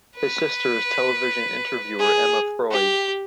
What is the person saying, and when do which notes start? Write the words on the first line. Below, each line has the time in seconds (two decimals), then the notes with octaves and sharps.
His sister is television interviewer Emma Freud.
0.16 B4
1.99 G#4
2.71 G4